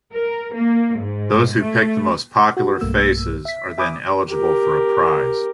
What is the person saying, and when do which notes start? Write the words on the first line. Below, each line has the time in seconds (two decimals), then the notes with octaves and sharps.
Those who picked the most popular faces are then eligible for a prize.
0.13 A#4
0.54 A#3
0.98 G#2
1.61 A3
2.57 F#4
2.81 B1 G2 A3 A#3 E6
3.45 E5 B6
3.78 E5 G#5 B5 D6 D#6
4.31 G4 A#4